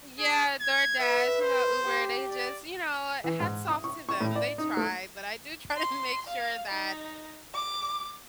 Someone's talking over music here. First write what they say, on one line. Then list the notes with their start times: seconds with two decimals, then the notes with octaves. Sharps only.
Yeah, DoorDash, you know, Uber, they just you know what, hats off to them, they try, but I do try to make sure that
0.19 G#4
0.61 G#6
1.00 B4 E5
1.41 C5
1.84 G4
2.30 D5
3.24 E3
3.40 G#2
3.68 D#6
3.84 C#6
4.09 C#6
4.21 A2
4.36 D5
4.58 D#4
4.77 A3
5.77 C6
6.27 F5
6.69 D#4
7.54 D6